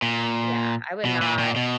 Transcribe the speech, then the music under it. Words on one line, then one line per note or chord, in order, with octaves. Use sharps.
Yeah, I would not
A#2
B2
A#2
A#2
B2